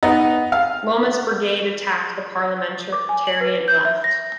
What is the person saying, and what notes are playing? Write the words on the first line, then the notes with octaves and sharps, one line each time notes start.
Wilmot's brigade attacked the Parliamentarian left.
B3 D#4
F5
D6
G#5
F#7
B4
G6
E5
A#6